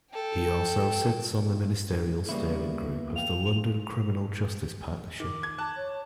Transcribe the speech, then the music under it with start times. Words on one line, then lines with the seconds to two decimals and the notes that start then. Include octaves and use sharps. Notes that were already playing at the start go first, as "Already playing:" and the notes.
He also sits on the Ministerial Steering Group of the London Criminal Justice Partnership.
0.12 A4 G5
2.29 C#3 G3 A#3 B3 E4
3.16 F5 G5 F7
5.20 D#3 D6
5.43 G#6
5.58 A5 F#6
5.75 C#5